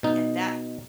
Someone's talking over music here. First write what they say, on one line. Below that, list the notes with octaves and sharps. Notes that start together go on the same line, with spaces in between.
And that
B2 D#4